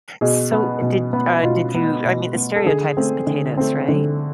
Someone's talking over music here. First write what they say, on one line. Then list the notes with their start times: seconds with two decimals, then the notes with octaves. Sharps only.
so did uh, did you I mean, the stereotype is potatoes, right?
0.21 B2 G#4
0.52 B3
0.82 B2
1.13 B3
1.43 B2 F4
1.75 B3
2.05 B2
2.35 B3
2.56 A4
2.66 D3 G#4
2.97 A3 C4
3.27 D3
3.57 A3 C4
3.88 D3